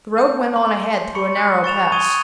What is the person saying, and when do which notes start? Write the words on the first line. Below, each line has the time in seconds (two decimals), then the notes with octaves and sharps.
The road went on ahead through a narrow pass.
0.17 A5 G6
0.56 C6
1.15 B5 C#6 C#7
1.37 F#6
1.64 C#6 A6 E7 F7
1.92 C#6 D#6 G#6 D#7 G7